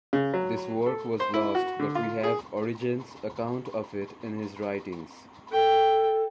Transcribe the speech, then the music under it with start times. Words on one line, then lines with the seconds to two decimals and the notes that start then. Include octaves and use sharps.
This work was lost, but we have Origen's account of it in his writings.
0.13 C#3
0.34 F#3
0.86 A4
1.20 C5
1.34 E4
1.55 F#4
1.79 D3
1.95 F4
2.24 G#4
5.52 A4 G5